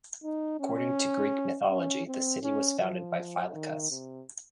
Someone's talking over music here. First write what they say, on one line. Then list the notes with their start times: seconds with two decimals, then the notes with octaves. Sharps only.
According to Greek mythology, this city was founded by Phylacus.
0.23 D#4
0.60 C#4
1.70 C#4
2.06 C4
2.43 C#4
2.80 F3
3.54 D#3
3.91 C3